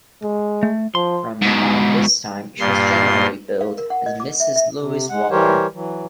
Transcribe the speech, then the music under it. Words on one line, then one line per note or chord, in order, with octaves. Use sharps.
From about this time she was generally billed as "Mrs Lewis Waller".
G#3
A3
F3 C6
G#2 B2
G2 A#2 C6
F5
A#4
F#5
D#5
D6
E5
E5
C3
G#3 F#5
E3 G3 G4 A#4 C5 C#5
E3 F#3